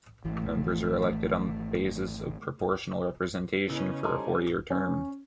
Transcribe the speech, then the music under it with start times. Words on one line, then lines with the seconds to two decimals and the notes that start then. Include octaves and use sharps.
Members are elected on the basis of proportional representation for a four-year term.
0.24 G#1 E3 A3
3.70 C#3 B3 C#4 D#4 E4
4.04 G3 C#4 D#4 G#4 A4 C5
4.70 C#4